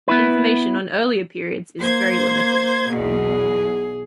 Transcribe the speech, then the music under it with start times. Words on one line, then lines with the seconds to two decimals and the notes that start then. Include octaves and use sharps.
Information on earlier periods is very limited.
0.08 B3 E4 B4
1.79 A#3 C5 G#6
2.93 B1 E2 B2 G#4